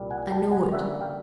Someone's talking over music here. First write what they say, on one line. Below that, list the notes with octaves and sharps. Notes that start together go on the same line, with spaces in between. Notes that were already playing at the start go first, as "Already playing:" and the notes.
I know it.
Already playing: C2 A#2 G3
F#5 G#5
G5 A5
F#5 G#5
D3 G3 A#3 C#4 E5 F#5
F5 G5